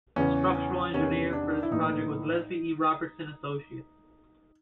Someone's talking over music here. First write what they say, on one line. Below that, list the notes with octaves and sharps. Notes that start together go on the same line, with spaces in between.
The structural engineer for this project was Leslie E. Robertson Associates.
E2 C#3 E3 C#4
C#4
E2 C3 D#3 C#4
D4
E4
A#1 A2 E3 D#4